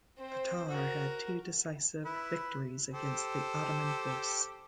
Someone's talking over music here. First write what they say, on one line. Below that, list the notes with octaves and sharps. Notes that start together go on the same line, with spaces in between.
Petar had two decisive victories against the Ottoman force.
C4 C5
F#4 A#4
E4 B4
G4 A4 C5